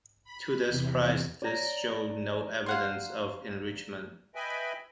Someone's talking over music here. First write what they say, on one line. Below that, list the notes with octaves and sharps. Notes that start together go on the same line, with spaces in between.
To their surprise, this showed no evidence of enrichment.
B5
E2 C3
D5 A#5
F5 F#5 C6
B4 D#5 E5 G5 G#5 B5